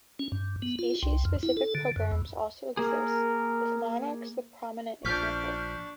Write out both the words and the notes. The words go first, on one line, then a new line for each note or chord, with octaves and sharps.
Species-specific programs also exist, with monarchs the prominent example.
C#4
G2
B3
F4
C2
F2
E4
A4
D3
F#2
E2
A#3 G#4 A#4
A#1 F3 D4 D5 C#6 F6 G6 B6